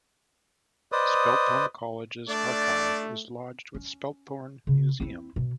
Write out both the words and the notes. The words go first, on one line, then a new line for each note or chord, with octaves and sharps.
Spelthorne College's archive is lodged with Spelthorne Museum.
B4 C5 D5 D#5 D#6
A3 D4 D5
C#4
C#3
C4 E4
B2